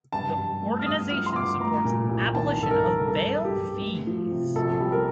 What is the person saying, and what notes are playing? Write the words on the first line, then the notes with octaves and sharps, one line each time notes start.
The organization supports abolition of bail fees.
G2 A5
G2
A3
F6
G2 D#6
F3 F6
C6
G2 D6
A3 A#5
A#2
C2
D#3 A5
G2 A4
A#4
A#3
G2 A4
G2
G4
G2
A3
F3
C3
A#1 A4
G3
A#4